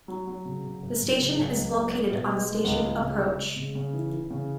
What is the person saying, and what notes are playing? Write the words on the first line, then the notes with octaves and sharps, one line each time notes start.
The station is located on Station Approach.
F#3
F#3
C#3
C#3
F#2
F#2
C#3
F#2
C#2
B3
B3
B2
G#3
G#3
C#2
C#2
C#3
C#3
G#3
C#3
C#3
E3
E3
C#3